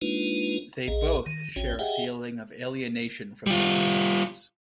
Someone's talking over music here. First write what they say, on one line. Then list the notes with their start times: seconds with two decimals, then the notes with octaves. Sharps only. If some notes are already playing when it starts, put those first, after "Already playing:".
They both share a feeling of alienation from their surroundings.
0.02 G#3 A#3 D4 D#4 F4 B4
0.88 A#1 G#4 D#5
1.26 D#3
1.56 A1 C#4 F#4 C#5 G5
1.79 G4 G#4 D#5 E5 F#5 G5
3.47 G3 F4